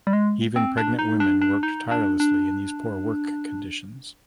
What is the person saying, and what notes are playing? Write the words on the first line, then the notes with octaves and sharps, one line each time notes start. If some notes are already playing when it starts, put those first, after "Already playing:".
Even pregnant women worked tirelessly in these poor work conditions.
G3
G#3
C4
D4
D#4
D4
D4
D#4
D4
D4